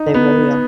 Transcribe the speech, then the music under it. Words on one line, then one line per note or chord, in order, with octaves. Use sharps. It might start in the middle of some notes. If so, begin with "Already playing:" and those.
They really are
Already playing: D#4
B3